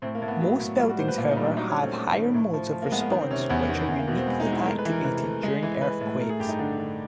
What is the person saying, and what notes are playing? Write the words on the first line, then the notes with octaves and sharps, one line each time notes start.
Most buildings, however, have higher modes of response, which are uniquely activated during earthquakes.
A2 C4
A#3
A2
B3
F#3
A2
G3 F4
F#4
A#2 C5
B4
A#2 F4
D#4
G3
D4
F#3 D#4
C#4
A3
C4
A3
D#3
A2
F3
F3
A#3
G#3 B3
A#3
D#3 B3
C4
C3 C#4
C4
E2 B3
D#3 B3
E2 B3
A#3
B2 B3
C4
G#3
D#4
G#3
E4
A3 A#4
B4
E3
A#4
C3 B4
A3
G#3
E3
E3 B4
A2
A3 A#4
G#4
G2 G4
D#4
D3 D4
D3